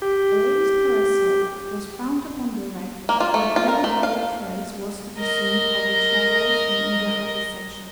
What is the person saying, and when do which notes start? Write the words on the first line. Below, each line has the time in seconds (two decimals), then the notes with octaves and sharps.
A lady's parasol was found upon the rack, but no other trace was to be seen of the travellers in either of the sections.
0.02 G4
3.09 A#3
3.20 F4
3.34 A3
3.56 F4
3.68 A#4
3.84 A3
4.03 F5
5.18 A#4 D#5